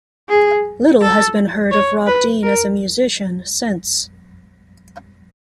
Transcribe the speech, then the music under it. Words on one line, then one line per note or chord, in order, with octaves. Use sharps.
Little has been heard of Rob Dean as a musician since.
G#4
A4
C#5
B4
A#4